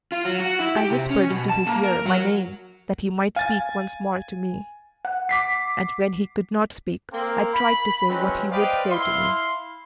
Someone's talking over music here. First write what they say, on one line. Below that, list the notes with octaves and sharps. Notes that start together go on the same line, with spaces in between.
I whispered into his ear my name, that he might speak once more to me; and when he could not speak, I tried to say what he would say to me.
F4
F#3
F#4
E4
G4
C3
C#4
B2
A5
A#3
A#4
F#3
F5 G#5 A6
F#5
D6 B6 C7
A#3 C4 A#4
B5
E3 F#3 G#3 C4 C#4
B4 C5 D5 D#5 F5 G5
E4 F5 C6